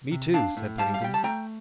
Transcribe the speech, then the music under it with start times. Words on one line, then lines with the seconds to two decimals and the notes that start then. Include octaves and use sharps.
"Me, too," said Pennington.
0.11 C3
0.34 D4 F5 A5
0.57 A2
0.78 G3 F5 A5
0.94 F5
1.01 G3 G5
1.14 A5
1.23 A3 G5 A#5